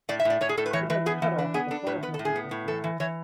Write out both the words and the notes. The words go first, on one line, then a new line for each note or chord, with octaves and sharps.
It has a cut-off at the plasma frequency.
A2 D5
E5
A2 D5
A2 C#5
G#4
A2 A4
B4
E3 C#5
E3 B4
B3 G#4
E3
D4 B4
B3 G#4
D4 A4
A2 B4
B3 B4
A4
A2
G#4
B3
A2
E3 A4
E3
E3 C#5